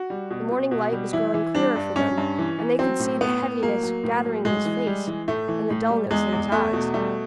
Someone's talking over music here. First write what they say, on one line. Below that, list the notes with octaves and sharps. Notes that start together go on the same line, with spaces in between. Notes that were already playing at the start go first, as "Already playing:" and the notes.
The morning light was growing clearer for them, and they could see the heaviness gathering in his face, and the dulness in his eyes.
Already playing: F#4
G3
B2
B2
B2
G3
E3 E4
E3
G3 D4
G2
G2 C#4
G2
E3
E3
F#3 C4
A2
A2 B3
A2
F#3 A#3
F#3
A2
F#3
A2 G#3
E3
G3
E3
A2 A3
E3
A2
G3
E2 G#3
E2
E2 A3
B2
G3 A3